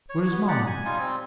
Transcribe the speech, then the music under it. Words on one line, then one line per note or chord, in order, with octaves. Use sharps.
Where's mama?'
C#5
B3
D#4 G4 D5 F#5
G#5
G3 D#4 F4 G#5
G3 C4